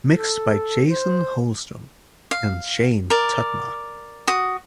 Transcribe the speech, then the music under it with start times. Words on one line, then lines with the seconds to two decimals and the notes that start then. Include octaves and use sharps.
Mixed by Jason Holstrom and Shane Tutmarc.
0.11 A4
0.88 C5
2.31 F5
3.10 A#4 D5
4.27 F#4 D#6